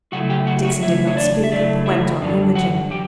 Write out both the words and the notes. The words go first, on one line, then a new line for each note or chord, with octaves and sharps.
Dixon did not speak, but went on rummaging.
C#3 F#3 A3 E4 F#4 F#5
G4 G5
F#4 F#5
F#4 F#5
C#3 F#3 A3 E4 E5
C#5
D4 D5
E5
C#3 F#3 A3 D4 E4 D5
E4 E5
F#2 D3 F#3 D4 D5
F#4 F#5
F#3 G4 G5